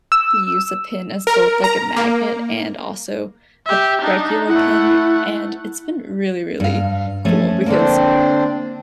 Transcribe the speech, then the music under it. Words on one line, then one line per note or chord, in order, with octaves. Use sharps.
you use a pin as both like a magnet and also a regular pin. And it's been really, really cool because,
E6
A#4
A#5
A#3
G4 E5
D4 D#4
A3 E4 F#5
G2 F5
F3 A3 C#4
D3 A#3 C4 D4